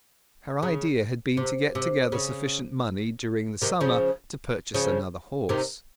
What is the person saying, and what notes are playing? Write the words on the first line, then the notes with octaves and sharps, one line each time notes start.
Her idea had been to get together sufficient money during the summer to purchase another horse.
C#3
C3
C3
C#3
C3 D#3
C#3 F3
C#3 F3
C3 D#3